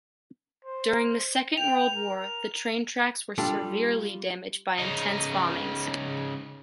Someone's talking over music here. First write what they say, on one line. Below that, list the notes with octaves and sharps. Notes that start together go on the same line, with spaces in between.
During the Second World War, the train tracks were severely damaged by intense bombings.
C5
G5 F7
A#4
G3 D4 F4 G4 A4
C#3 D#4